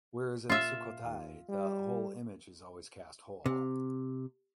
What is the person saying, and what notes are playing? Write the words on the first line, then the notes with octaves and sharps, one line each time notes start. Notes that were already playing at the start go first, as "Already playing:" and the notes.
Whereas in Sukhothai the whole image is always cast whole.
A#2 F4 E5
D#2
G3
C3